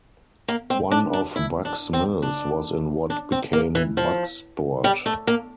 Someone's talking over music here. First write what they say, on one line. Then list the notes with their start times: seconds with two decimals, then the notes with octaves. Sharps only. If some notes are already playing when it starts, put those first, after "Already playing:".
One of Buck's mills was in what became Bucksport.
0.48 A#3
0.70 C4
0.91 D4
1.13 D4
1.36 E4
1.65 D4
1.93 C4
2.22 D4
3.10 D4
3.32 C4
3.53 A#3
3.75 E3
3.97 F3
4.84 G3
5.06 A3
5.27 A#3